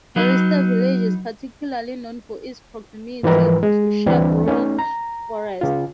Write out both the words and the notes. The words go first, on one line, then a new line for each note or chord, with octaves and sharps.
Kallista Village is particularly known for its proximity to Sherbrooke Forest.
F#3 D#4 B4
G#2 E3 F3 G3 A#4 B4
G#3
D2 E3 G3 C4 D4
A3 C#4 D#4
A#5
C#3 F4